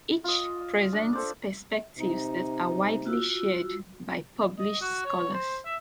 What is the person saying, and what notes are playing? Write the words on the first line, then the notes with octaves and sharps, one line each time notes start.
Each presents perspectives that are widely shared by published scholars.
F4 D#5
D4
A4 C5 D5
C3 D#4
F4 F#4 E6
D#5
F#4
C#5
C5
E5